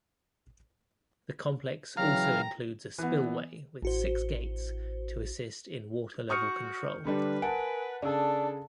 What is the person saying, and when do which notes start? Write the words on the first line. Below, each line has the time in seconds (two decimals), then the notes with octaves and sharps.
The complex also includes a spillway with six gates to assist in water-level control.
1.97 C#3 E3 F#3 F5 G5 A#5
2.98 E3 B3
3.82 A1 F#4 C5
6.30 F#4 C#6 D#6 F6 G6 C#7
7.05 D3 G3 D4 B4
7.42 A#4 F#5 G#5 A5 D7
8.02 C#3 D4 G#4 A4 D5 E6